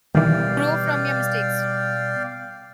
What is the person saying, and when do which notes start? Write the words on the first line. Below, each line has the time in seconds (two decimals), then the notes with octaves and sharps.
You grow from your mistakes.
0.15 B2 D#3 E3 G3 D5 F5 G5